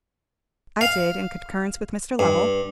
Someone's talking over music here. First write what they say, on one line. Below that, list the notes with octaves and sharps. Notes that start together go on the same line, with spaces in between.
"I did, in concurrence with Mr. Lovell."
F5
G2